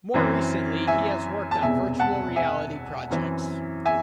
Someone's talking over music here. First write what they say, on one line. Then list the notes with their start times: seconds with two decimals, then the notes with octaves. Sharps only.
More recently he has worked on virtual reality projects.
0.14 F#2 E3 C4
0.87 E5 G#5
1.51 A5
1.62 E1 E2 C3 E5 G#5
1.99 F#5 A5
2.36 E5 G#5
3.10 F#2 E3 C4
3.85 E5 G#5